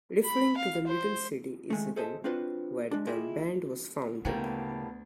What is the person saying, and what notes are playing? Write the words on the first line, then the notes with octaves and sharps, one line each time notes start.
Referring to the little city Izegem where the band was founded.
B5
F5
C5
D#3 G#3 A3
G#4 A4 C5 D#5 E5 A5
C4 D4 F4 F#4 B4 C5
G#3 D4
E4 F4 G4 G#4 D#5 E5
D2 A2 C#3 G3 A#3 B3